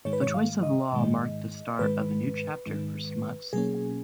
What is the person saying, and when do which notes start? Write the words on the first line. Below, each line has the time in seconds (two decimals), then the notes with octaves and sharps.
The choice of Law marked the start of a new chapter for Smuts.
0.05 G#2 D#3 G#3 C#5
0.13 B4
0.21 C#5
0.34 F5
0.63 D#5
0.92 G#2 D#3 G#3
1.79 G#2 D#3 G#3 B4
2.66 G#2 D#3 G#3
3.53 B2 F#3 A#3 C#4 G#4